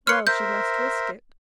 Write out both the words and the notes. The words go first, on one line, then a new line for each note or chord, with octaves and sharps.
Well, she must risk it.
B4 C#5 C6 F6 C#7
A#4 C5 E5 G6